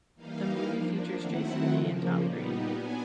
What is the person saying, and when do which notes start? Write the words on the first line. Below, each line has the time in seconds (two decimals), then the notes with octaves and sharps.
The movie features Jason Lee and Tom Green.
0.15 E3 G3 A#3 D#4 F5
0.67 F3 A#3 D4
1.18 D#3 F#3 A3 C4 E4 F#5
1.70 C#3 F3 A#3
2.20 A#2 G3 B3 D#4
2.71 F#3 B3 D4 G#5